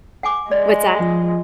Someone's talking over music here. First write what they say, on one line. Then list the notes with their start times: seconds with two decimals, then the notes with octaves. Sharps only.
what's that?
0.23 F#5 G#5 D6
0.51 G#3 D5
0.99 F3